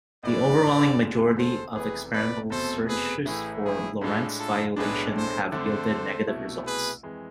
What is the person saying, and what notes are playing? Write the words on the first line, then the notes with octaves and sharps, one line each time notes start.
The overwhelming majority of experimental searches for Lorentz violation have yielded negative results.
A2 E3 G#3 B4 D5
F1 E2 D3 G#3
A4 C5
F1 F2 C3 E3 B3 G#4 B4
B4 D5
F1 E2 B2 A3 C4 A4 C5
G#4 B4
A1 A2 E3 A3 E4 G#4
E4 G#4
A2 G#3 D4 F4 A4
F4 A4
B1 A2 G#3 D4 G#4 B4
A4 C5
F2 D3 A3 D4 A4 C5
C2 B2 A3 E4
G#4 B4
F2 E3 G#3